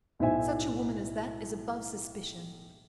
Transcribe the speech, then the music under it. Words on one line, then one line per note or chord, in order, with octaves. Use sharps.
Such a woman as that is above suspicion.
B1 A2 D#4 C5 E5 G#5